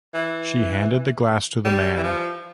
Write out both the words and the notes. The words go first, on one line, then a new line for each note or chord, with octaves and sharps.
She handed the glass to the man.
E3
G3
E3
F3